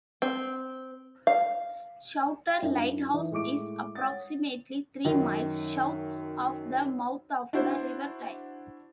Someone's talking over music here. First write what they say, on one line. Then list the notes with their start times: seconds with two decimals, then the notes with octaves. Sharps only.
Souter Lighthouse is approximately three miles south of the mouth of the River Tyne.
0.22 C4
1.27 F5
2.48 G5
2.62 F#2 D4 D#4 F4
3.14 E3 D#4
3.31 A2 G#3 C#6 D6 D7
3.95 C#5 F#5 D#6 A6
5.05 F#2 D#3
7.53 D4 E4 F#4 C5